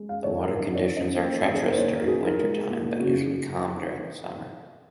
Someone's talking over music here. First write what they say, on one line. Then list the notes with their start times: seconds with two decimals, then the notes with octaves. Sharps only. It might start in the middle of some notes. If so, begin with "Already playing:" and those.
The water conditions are treacherous during winter-time, but usually calm during summer.
Already playing: G#3
0.09 F5
0.24 D#3 C#5
0.40 A#4
0.54 D#3 A#4
0.75 C#5
0.85 C#4
0.96 D#5
1.16 A#3
1.47 D#3
1.54 G#4
1.62 A#4
1.70 C5
1.77 A#2 C#5
1.93 A#4
2.01 F#4
2.08 D#4 G#4
2.24 A#4
2.39 G#3
2.70 A#2
3.00 C#3 F#4